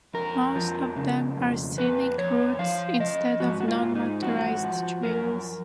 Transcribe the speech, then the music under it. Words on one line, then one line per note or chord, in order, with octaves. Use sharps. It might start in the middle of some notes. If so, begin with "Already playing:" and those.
Most of them are scenic routes instead of non-motorized trails.
F2 A#4
F3
C#3
F2
F2 B4
F2 C#5
F3 F5
F3 D#5
G#2 F#4
F#4
F4
G#2
D#4
F3 F#4
F3
F#2 A#4